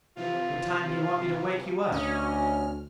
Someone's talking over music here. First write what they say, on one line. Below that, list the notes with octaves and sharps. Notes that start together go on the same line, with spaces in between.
"What time d'you want me to wake you up?"
C3 E3 F3 F4
D2 F#3 C#4 G4 D#5 F6